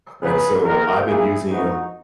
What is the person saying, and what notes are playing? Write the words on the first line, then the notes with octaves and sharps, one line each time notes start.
And so, I’ve been using ’em
C#2 C#3 F#3 B3 G#4 B4
D#2 D#3 A#3 F#4 A#4
A#2 A#3 E4 G#4
G#2 E3 B3 D#4 F#4